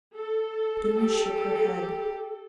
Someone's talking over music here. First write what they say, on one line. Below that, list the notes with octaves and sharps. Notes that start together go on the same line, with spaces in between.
Dounia shook her head.
A4
G4